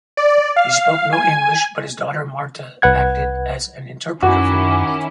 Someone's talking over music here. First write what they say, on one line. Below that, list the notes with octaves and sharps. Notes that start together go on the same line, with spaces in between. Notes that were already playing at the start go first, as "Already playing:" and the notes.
He spoke no English, but his daughter Marta acted as an interpreter for him.
D5
F5
G#5
C2 B4 F#5 G#6
F#2 D#3 C#4 E4 F#4 D6